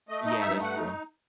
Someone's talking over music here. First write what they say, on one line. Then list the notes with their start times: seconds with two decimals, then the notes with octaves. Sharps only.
Yeah, that's true.
0.09 A3 D#5
0.26 D#4 D#5
0.41 G2 E5
0.57 A3
0.63 F#5
0.73 D#4